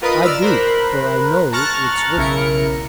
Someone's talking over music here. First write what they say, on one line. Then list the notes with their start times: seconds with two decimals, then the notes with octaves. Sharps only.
"I do, for I know its virtue."
0.02 F4 A#4 B4 D#5 B5 D#6
0.23 D5 E6 F6
0.42 A#4 C5 B5 F#6
1.52 A5 A#5 C#6 F6 F#6 A6
2.17 B1 C#3 E4 A#4 C#7